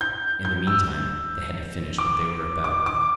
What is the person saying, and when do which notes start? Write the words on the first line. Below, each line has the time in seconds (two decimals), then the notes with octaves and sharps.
In the meantime they had to finish what they were about.
0.01 G6
0.45 G6
0.67 E6
1.98 D6
2.64 D6
2.86 D6